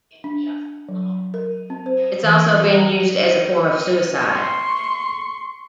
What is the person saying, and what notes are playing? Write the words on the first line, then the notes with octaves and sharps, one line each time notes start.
It has also been used as a form of suicide.
D4
F#3
A#4
C4
C5
E3
A#5
C6 C#6